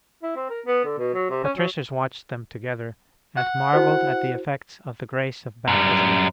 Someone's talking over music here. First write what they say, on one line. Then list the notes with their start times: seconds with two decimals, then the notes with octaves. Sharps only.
Patricius watched them together, and marvelled at the effects of the grace of Baptism.
0.23 E4
0.36 C4
0.50 A#4
0.66 B3
0.84 D3
0.98 B2
1.14 F#3
1.30 C3
1.43 C#4
1.56 F#3
3.37 F#5
3.73 E4 F#4 C5
5.68 F#2 G3